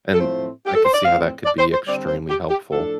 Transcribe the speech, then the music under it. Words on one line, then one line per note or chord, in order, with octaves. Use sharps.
and I could see how that could be extremely helpful.
A4
A2 F3 A3 C4 C5
G4
A4
C5
D5
A2 F3 C4 F5
D5
C5
C5
D3 G3 C4 D5
C5
G4
G4
A2 F3 D4 A4